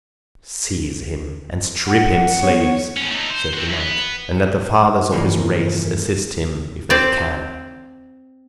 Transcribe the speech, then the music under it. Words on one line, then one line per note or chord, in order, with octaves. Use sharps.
"Seize him and strip him, slaves," said the knight, "and let the fathers of his race assist him if they can."
F#5
B3 C#5
A2 C#4
A3 D#4
C5
C4 F#4
F#2
B3
G2 C#3 E3 F3 A3 A#3
C4 D5